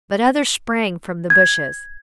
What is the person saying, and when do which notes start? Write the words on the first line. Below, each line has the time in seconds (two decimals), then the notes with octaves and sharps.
But others sprang from the bushes.
1.30 G#6